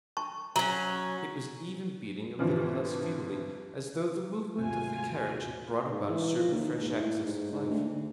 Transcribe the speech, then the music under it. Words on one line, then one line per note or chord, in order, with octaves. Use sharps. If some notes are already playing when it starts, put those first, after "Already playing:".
It was even beating a little less feebly, as though the movement of the carriage had brought about a certain fresh access of life.
A5 C#6
F#3 C#4 A#5
G#1 D3 E3 F3
D#2 G#2 C3 F4 F#4 G#5
G#2
E3
F3
D#2
G#2
A2
G#2
G#2
D2
D2